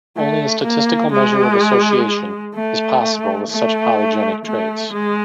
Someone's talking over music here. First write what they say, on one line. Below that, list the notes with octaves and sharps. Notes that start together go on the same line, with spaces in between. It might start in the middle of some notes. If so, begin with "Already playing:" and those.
Only a statistical measure of association is possible with such polygenic traits.
A3
A#3
G#3
A3
A3
A3
G#3